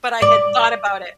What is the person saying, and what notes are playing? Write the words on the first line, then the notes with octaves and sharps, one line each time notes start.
But I had thought about it.
D5